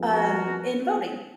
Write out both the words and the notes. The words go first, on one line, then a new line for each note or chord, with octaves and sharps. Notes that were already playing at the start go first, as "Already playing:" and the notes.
um, in voting.
Already playing: F2 F3 G#3 B3
F#4 A#4